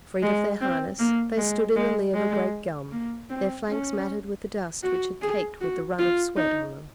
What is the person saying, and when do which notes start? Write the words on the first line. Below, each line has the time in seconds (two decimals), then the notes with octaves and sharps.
Freed of their harness, they stood in the lee of a great gum, their flanks matted with the dust which had caked with the run of sweat on them.
0.23 G#3
0.61 C4
0.99 A#3
1.37 G#3
1.76 G#3
2.14 G#3
2.91 A#3
3.30 C4
3.68 C#4
4.83 F#4
5.22 G#4
5.60 F#4
5.99 F4
6.37 D#4